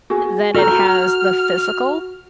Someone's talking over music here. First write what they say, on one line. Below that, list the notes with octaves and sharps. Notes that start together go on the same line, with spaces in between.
Than it has the physical.
F#4 G#4
F#4 A4 A#5 F6 G6